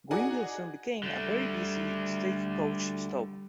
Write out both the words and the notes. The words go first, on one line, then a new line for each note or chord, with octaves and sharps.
Greenville soon became a very busy stagecoach stop.
D#4 F#4 G#4 D5 F#5 G#5
D3 G3 A3